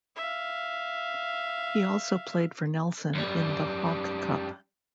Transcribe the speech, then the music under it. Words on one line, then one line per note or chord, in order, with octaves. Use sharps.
He also played for Nelson in the Hawke Cup.
E5 F5
F#2 G3